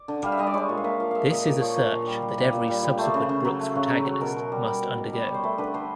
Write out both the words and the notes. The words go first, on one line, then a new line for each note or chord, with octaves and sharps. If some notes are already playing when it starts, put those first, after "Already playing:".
This is a search that every subsequent Brooks protagonist must undergo.
Already playing: D5
D3
G3 F5
E5
G3 D#5
D5
G#3 C#5
A#2
F5
A#2 E5
F3 F5
G#3 E5 F5
A#2 D#5
A#2 D5
F3 C#5
A#2
A#2
G3
G3
A#2
A#2
G3
G3
A3 C5
C#3
C#3
F#3
A3
C#3
C#3
F#3
B2 A#4
B2
G3
G3
B2
B2
G3
G3 C#5
C5
A3 B4
D3 B4
D3 C5